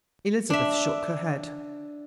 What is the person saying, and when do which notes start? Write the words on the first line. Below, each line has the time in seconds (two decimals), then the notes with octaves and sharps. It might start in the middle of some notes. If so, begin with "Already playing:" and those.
Elizabeth shook her head.
0.50 D4 E5